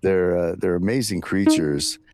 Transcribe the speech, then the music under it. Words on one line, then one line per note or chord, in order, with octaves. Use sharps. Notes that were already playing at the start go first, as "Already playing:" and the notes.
They're, uh, they're amazing creatures,
D#4